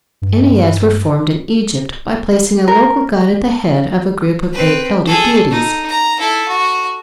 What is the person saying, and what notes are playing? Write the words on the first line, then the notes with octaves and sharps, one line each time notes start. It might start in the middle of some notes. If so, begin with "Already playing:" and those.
Enneads were formed in Egypt by placing a local god at the head of a group of eight elder deities.
G2
A#4
C4 B4
G#4 A4
D#4
A#5
E4 A4
F#4